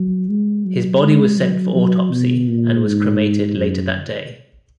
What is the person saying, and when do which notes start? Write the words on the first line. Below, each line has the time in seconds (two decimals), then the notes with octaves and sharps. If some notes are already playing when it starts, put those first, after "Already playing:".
His body was sent for autopsy and was cremated later that day.
Already playing: F#3
0.30 G#3
0.65 F#3
1.02 G#3
1.38 F#3
1.75 F#3
2.12 B2
2.48 A#2
2.84 G#2
3.57 F#2